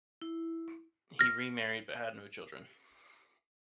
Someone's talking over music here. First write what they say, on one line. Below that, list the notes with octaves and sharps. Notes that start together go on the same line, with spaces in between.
He remarried but had no children.
E4
F6 A#6